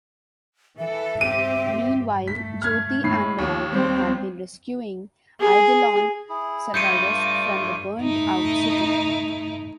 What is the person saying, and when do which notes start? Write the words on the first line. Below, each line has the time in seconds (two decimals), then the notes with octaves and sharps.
Meanwhile, Jothee and Noranti have been rescuing Eidelon survivors from the burnt-out city.
0.78 E3 A4 E5
1.21 C4 G4 D#7
2.28 A3 B6
2.62 F6 G#6
3.04 A2 C7
3.39 D#2
3.71 G3 C4
5.40 G#4
6.29 E4 G#4
6.74 G2 A3 F4 D6 G6 C#7 D#7
7.22 D#7
8.02 A3 D#4 E4